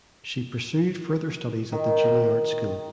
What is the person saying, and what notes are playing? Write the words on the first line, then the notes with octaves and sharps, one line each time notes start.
She pursued further studies at the Juilliard School.
D#3